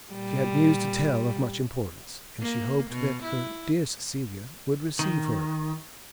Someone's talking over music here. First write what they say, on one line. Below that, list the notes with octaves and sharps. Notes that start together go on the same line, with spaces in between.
She had news to tell of much importance, and she hoped that her "dear Cecilia" would receive her.
A#2 G3
A#3
B2
E4
D#3